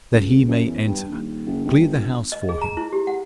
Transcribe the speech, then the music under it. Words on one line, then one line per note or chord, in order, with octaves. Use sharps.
That he may enter, clear the house for him.
C#2
F#2
E2
G2
D#1
F#1
G1
D#5
G#4
A#5
E4
G4
F#5